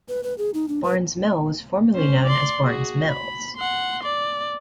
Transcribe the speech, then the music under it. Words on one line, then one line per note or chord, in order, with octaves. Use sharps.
Barnes Mill was formerly known as Barnes Mills.
B4
B4
G#4
D#4
D4
B4
C#4 C5
D5 C6
F#4 G#4
B5
F#5 C6
D5